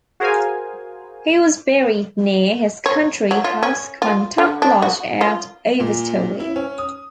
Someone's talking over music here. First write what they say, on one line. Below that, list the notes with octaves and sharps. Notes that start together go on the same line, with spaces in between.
He was buried near his country house Quantock Lodge at Over Stowey.
F#4 G#4 A#4 C5 F5 G#5
C#5
F#3
F4
C#4
F4
D3
D4
F#4
F4
A#2
E4
C#4
D#6